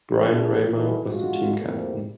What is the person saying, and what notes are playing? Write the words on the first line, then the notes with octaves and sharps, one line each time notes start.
Brian Ramer was the team captain.
C#3 B3 D4 E4 G#4
E3 D#4 E4 F#4 A4 B4
G2 G#3 F4 F#4
F2 A2 C3 G3 A#3